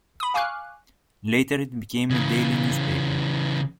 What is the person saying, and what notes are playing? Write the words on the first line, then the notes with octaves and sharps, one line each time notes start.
Later it became a daily newspaper.
B5 D#6
F5 G#5 C#6 D6 F6 F#6
C#3 E3